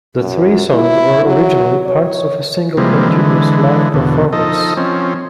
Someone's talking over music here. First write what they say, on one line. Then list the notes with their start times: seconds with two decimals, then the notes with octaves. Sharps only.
The three songs were originally parts of a single continuous live performance.
0.20 F#2
0.74 E4
1.25 F#3
1.86 C#5
2.77 C3 E3 F3 G3 G#3 A#3
3.09 D3 E3 G#3
3.94 E2 B2 D3
4.33 F3 D#4 A4 D#5
4.77 F3 C4 C#4